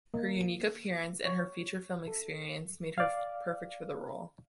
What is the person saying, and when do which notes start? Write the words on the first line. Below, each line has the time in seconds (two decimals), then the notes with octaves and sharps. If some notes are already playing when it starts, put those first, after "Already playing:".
Her "unique appearance" and her feature film experience made her perfect for the role.
0.14 A#3
1.25 C#5
2.07 A4
2.98 D5 F5